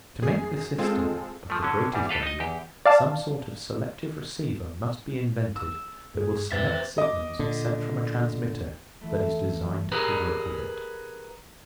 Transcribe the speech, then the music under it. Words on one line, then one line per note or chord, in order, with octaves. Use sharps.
To make the system of the greatest value some sort of selective receiver must be invented that will select signals sent from a transmitter that is designed to work with it.
F#2 G#4 C7
G#3 C4 F4 G#4 A4
F3 A3
D3 F#3 C#4
E2 G3
G4 A4 B4 F5
D#4 D#5
E2 G4
D5 F5 A5
E6
G2 G#3 G#4
F2 E3 B4 C5 E5 A6
D#5 D6
A#2 D3
E3 A3
G4 G#4 A#4 B4